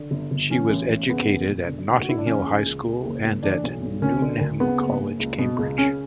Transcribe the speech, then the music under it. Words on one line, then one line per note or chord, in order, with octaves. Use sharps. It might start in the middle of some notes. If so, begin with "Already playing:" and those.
She was educated at Notting Hill High School and at Newnham College, Cambridge.
Already playing: D3
G1
G1
E3 C#4
A1
A1
C#3 B3
E3
E1
D3
F#1
F#4
F#1 E4
D4
E3 C#4
C#2
C#2
C#3
F#1
F#1
E3 D4
B1
B1
D2 C#4
D3
D2
C#3 B3
F#1
F#1
C#2
B2
C#2
C#3 C#4